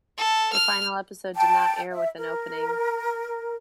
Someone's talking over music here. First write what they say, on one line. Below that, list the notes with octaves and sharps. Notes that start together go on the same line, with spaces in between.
The final episode did not air with an opening.
A4
F6
G5 A5
E5
A#4